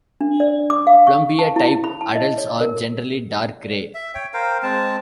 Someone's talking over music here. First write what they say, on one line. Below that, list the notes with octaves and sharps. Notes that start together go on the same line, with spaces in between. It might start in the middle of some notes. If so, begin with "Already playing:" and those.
"Plumbea"-type adults are generally dark gray.
D4
D5
D6
F5
C#6
A5
E4
B5
A5
D#5
C#5
A#4
E5
C#5 G5
A#4 C5 F5 G5
G#3 C4 A5